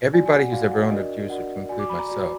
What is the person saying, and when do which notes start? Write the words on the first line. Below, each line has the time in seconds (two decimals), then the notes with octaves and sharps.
everybody who's ever owned a juicer, to include myself,
0.13 F#4 D5 G#5
0.26 G#5
0.39 F#5
0.52 F#4 D5 F5
0.71 F#5
0.91 D4 F#4 A#4 D5 D#5
1.30 D4 F#4 A#4 D5 F#5
1.69 F#4 D5 G#5
1.79 D6
1.89 B5
1.99 A#5
2.09 F#4 D5